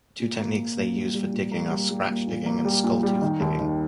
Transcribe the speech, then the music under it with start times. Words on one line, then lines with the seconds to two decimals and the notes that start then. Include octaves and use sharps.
The two techniques they use for digging are scratch-digging and skull-tooth digging.
0.20 A#2
0.39 A#3
0.58 A#3
0.77 A#2
0.95 G3
1.14 G3
1.33 A#2
1.51 A#3
1.71 G3
1.90 G3
2.09 A#3
2.27 A#2
2.46 A#3
2.65 G3
2.84 A#2
3.03 G3
3.22 D#3
3.40 D#2
3.60 D#3